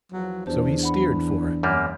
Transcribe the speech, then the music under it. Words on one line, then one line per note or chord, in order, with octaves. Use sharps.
So he steered for it.
E2 F3 F#3
E2 D4 G4 C5 A5
F#5 B5
F#2 G3 A#3